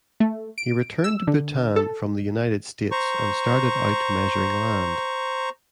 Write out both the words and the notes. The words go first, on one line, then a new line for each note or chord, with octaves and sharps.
He returned to Bhutan from the United States and started out measuring land.
A3
D7
E6
D3
A4
C5 A#5 C#6